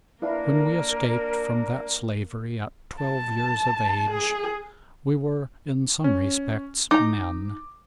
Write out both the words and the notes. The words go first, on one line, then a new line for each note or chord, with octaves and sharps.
When we escaped from that slavery at twelve years of age, we were in some respects men.
A#3 D4 E4 A#4 B4 F5
A5
G#4
C#4
D#4 A#5 D6